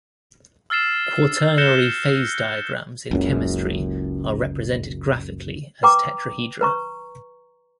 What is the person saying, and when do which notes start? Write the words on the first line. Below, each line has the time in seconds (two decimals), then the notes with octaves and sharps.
Quaternary phase diagrams in chemistry are represented graphically as tetrahedra.
0.70 E6 F6 A6 C7 E7
1.58 F#6 G6 A#6 C#7 E7 G7
3.11 F#1 C#2 F#2
5.83 B4 G5 A#5 D6
6.61 B4 A#5 C#6